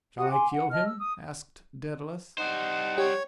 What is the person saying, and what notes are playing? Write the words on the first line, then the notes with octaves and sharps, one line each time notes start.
"Shall I kill him?" asked Daedalus.
F#4 G4 F#5 D#6
G#5 C6 D6
F#5
D#5 A5 F6
E6
D#6
G3 D#4 C5 F#5
G4 C#5